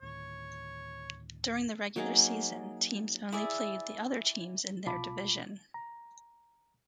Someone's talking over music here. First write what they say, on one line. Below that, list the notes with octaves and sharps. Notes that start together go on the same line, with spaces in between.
During the regular season, teams only played the other teams in their division.
D2 A2 D#3 C#5
F#3 A#3 D#4 G#4
E4 G#4 D5 E5
C2 B2 F4 A5 B5 D6
A#5